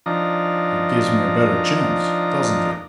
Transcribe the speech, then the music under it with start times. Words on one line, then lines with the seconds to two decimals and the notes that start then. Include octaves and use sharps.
"It gives me a better chance--doesn't it?"
0.06 F3 D4 D#4 A#5